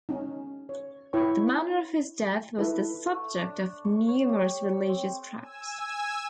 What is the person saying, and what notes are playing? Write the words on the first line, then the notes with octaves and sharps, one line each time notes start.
The manner of his death was the subject of numerous religious tracts.
C#4 D#4
C#5
E4 B4 C#5 G5 C#6
D#4 E4 A4 B4 E5
A3
D4
C#6
C#5
G4
C#5
C4
G#5 E6